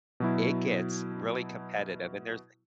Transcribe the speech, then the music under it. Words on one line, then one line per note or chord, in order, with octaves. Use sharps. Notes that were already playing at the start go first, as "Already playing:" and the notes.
It gets really competitive, and there's
B2 F#3 E4